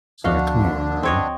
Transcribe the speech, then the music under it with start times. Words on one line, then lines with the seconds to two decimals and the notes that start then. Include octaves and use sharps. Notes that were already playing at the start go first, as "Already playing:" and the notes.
It's like, come on now,
0.24 D2 D3 F3 D4 F#4 F5
1.03 C4 C#5 D#5